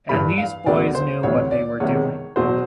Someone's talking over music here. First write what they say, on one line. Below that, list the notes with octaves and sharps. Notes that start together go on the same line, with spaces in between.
And these boys knew what they were doing.
G2 E3 G3 B5
F5
D2 C#3 F#3 B3 D5
C5
D2 C3 E3 C#5
D5
E1 E2 C3 D#3 C#5
E2 B2 F#3 C5